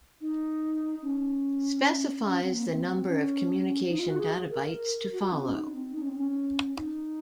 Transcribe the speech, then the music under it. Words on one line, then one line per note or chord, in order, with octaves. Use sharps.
Specifies the number of communication data bytes to follow.
D#4
C#4
C#4
C4
A#3
C4
C#4
D#4
F4
F#4
G#4
A#4
F#4
F#4
C4
C#4
D#4
C4
D#4
C#4
C4
C#4
D#4